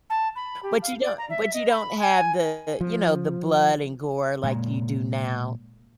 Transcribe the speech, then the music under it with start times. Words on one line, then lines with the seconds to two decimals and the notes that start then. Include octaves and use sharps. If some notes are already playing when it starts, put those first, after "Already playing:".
But you don't but you don't have the, you know, the blood and gore like you do now.
0.10 A5
0.36 B5
0.63 G4
0.82 F5
1.02 D5
1.18 A#5
1.30 E5
1.53 D#5
1.69 B5
1.99 G#5
2.81 F3
4.43 A#2 G#3